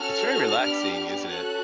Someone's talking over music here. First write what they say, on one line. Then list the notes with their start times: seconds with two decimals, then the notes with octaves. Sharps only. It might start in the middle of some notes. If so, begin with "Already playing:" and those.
It's very relaxing, isn't it?
Already playing: C#4 F#4 A4 F6
0.57 B3 D4 G4
1.27 C#4 F#4 A4 F#6